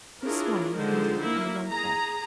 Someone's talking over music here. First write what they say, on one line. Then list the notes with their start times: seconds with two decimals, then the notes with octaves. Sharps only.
Two swans meeting on the Jungfrau.
0.23 D4 E4 F4 G#4 A#4 C#5
0.75 D3 D#3 F3 G#3 C5
1.20 A#3 E4
1.70 G#4 A#5